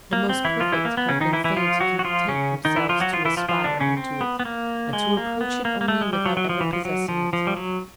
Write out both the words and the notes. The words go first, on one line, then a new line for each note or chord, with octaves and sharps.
The most perfect have been fain to content themselves to aspire unto it, and to approach it only, without ever possessing it.
A#3
C4
E3 E4
F3 F4
E3 E4
A#3
B3
C#3 C#4
D#3 D#4
E3 E4
E3 E4
F3 F4
F#3 F#4
F#4
F3 F4
C#3 C#4
D#3 D#4
E3 E4
F3 F4
F#3 F#4
F3 F4
E3 E4
F3 F4
F3 F4
D3 D4
C#3 C#4
C4
B3
B3
A#3
G#3
A#3
B3
A#3
A#3
A3
G#3
G3
F#3
F#3
F3
E3
F3
F#3
F3
F3
G3
F#3